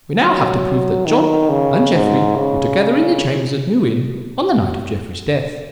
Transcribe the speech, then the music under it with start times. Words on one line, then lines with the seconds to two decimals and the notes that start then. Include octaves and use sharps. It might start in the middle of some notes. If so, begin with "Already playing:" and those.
We now have to prove that John and Jeffrey were together in the chambers at New Inn on the night of Jeffrey's death.
0.19 F#3
1.06 D#3
1.49 C#3
1.93 G#2
2.36 C#3